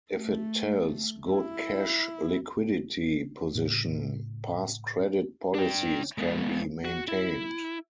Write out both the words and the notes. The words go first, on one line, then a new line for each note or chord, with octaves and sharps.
If it tells good cash liquidity position, past credit policies can be maintained.
A3
E4
A2 C#3
D4 G5
G#3 B3
F#4
E4